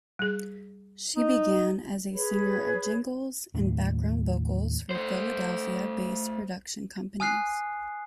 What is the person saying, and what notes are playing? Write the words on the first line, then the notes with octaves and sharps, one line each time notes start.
She began as a singer of jingles and background vocals for Philadelphia-based production companies.
G3 G#4
D#4
G#4 B4 C#5 B5
D#2 A2 D4
A3 C5
G#5 D#6 F6 F#6 C7